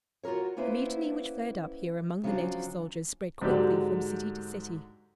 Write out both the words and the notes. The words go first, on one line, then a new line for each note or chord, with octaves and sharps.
The Mutiny which flared up here among the native soldiers spread quickly from city to city.
F4 F#4 G#4 A#4 C#5
A#3 B3 C#4 E4 B4 C5
C#3 F3 F#3 C#4 D4 C5
G#2 D3 F#3 G4 D5